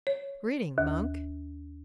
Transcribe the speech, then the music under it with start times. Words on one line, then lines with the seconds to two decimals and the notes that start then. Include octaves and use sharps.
'Greeting, monk.
0.07 C#5
0.78 D#2